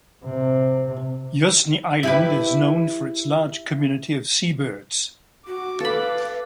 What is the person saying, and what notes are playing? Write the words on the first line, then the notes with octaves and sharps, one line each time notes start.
Yuzhny island is known for its large community of sea birds.
C3
E4 G4 B4
F#4 D6
A4 B4 F5 B5